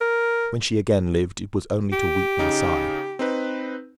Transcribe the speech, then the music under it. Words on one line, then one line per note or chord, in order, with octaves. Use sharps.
When she again lived, it was only to weep and sigh.
A#4
G4
C#3 D#4
C4 D#4 B4